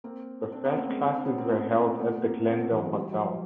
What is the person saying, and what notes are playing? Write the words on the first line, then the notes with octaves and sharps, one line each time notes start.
The first classes were held at the Glendale Hotel.
A#3 C4
C4 D4
B3 C#4
A#3 C4
G#3 A#3
C4 D4
C4 D4
B3 C#4
A#3 C4
A3 B3
A#3 C4
A3 B3
A#3 C4
B3 C#4
A#3 C4
E3 F#3
G#3
G3
F#3
F3 G3